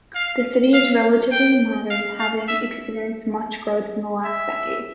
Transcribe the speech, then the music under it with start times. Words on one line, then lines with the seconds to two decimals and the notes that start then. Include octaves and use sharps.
The city is relatively modern, having experienced much growth in the last decade.
0.15 F5
0.73 F5
1.31 G5
1.90 F5
2.19 F5
2.48 E5
4.24 E5